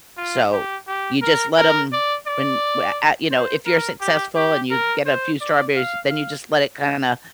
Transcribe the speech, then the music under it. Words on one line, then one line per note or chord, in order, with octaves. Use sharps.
so, you just let 'em when wha at you know, if you're successful and you get a few strawberries, then you just let it kinda
F4
G4
G4
A#4
A#4
D5
D5
C5
A#4
G4
G4
A#4
C5
D5
F5
F5